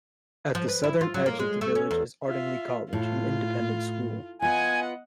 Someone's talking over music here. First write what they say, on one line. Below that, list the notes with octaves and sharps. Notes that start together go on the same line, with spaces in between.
At the southern edge of the village is Ardingly College, an independent school.
F3
B4
E4
F4
F#3
A#3
G#3
A3
C#4
E2
F4 E5
A2 F4
B3 F4 D#5 F#5 G#5